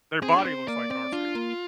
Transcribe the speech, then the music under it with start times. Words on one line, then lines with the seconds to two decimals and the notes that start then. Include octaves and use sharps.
their body looks like Garfield.
0.22 C4 G#4
0.36 D4 D5
0.45 C4 C5
0.68 A#3 D5
0.90 C4 D5
1.12 D4 F4
1.35 A#3